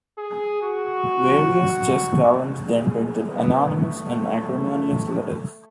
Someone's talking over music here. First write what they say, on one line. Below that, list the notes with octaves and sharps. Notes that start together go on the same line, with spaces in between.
Various chess columns then printed anonymous and acrimonious letters.
G#4
F#4
G#4
B3
A3